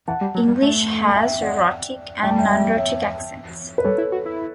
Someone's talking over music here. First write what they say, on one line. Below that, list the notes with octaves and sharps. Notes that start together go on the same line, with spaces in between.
English has rhotic and non-rhotic accents.
E3 F#5 A5
G3
F#3
G3
A3
A5
E5 G5
D5 F#5
G3 G5
A5
E5 G5
E5 G5
C#5 E5
B4
G3 A4 C#5
E4
F#4
E4